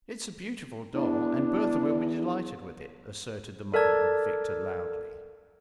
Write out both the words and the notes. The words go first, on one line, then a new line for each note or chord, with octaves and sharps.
"It's a beautiful doll, and Bertha will be delighted with it," asserted the mother of Victor loudly.
E2 D4
A4 A#4 D5 A5 G#6